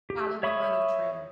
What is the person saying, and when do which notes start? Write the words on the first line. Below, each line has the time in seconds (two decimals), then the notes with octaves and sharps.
Follow the money trail.
0.10 G4
0.43 C#5 E5 B5 C#6 D#6